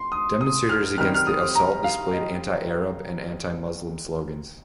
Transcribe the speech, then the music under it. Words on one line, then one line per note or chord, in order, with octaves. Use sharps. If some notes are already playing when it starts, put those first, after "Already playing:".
Demonstrators against the assault displayed anti-Arab and anti-Muslim slogans.
Already playing: C6
D#6
D#6
F6
D#3 G3 C4 F6
F6
D#6
A#5
F5
D#5